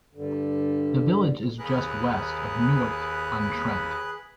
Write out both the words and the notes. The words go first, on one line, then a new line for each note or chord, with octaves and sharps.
The village is just west of Newark-on-Trent.
G2 D3
D#2 G#4 A#4 B4 F#6